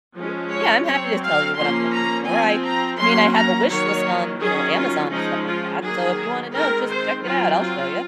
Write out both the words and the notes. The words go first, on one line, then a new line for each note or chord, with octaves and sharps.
Mhm. Yeah, I'm happy to tell you what I'm looking for, I I mean, I have a wish list on, you know, Amazon and stuff like that, so, if you wanna know, just check it out, I'll show you.
F3 G#3 C#4
C#5
F#3 C4 C#5
F5
F3 A#3 C#4 C6
A#5
F3 C4 G#5
A#5
F#3 A#3 C#4 C6
A#5
D#3 F#3 A#3 C#5
D#3 F#3 C#4 G#4
F4
F3 G#3 C#4 D#4
F4
D#3 F#3 A#3 G#4
D#3 G#3 C4 A#4
C5
F#3 C4 F4
F4